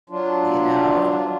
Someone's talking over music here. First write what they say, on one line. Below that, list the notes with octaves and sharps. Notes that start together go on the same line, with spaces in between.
You know?
F#3 D4 F4